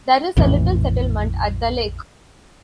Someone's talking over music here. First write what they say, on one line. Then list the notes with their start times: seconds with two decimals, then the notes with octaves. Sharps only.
There is a little settlement at the lake.
0.37 A#1 F2 A2 E3